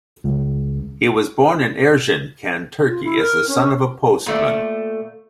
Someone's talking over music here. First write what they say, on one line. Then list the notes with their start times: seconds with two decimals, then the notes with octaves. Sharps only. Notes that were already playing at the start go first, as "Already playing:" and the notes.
He was born in Erzincan, Turkey as the son of a postman.
0.24 C#2
2.88 F4
3.05 E4
3.18 A#4
3.47 C#4
4.26 A#2 A3 D5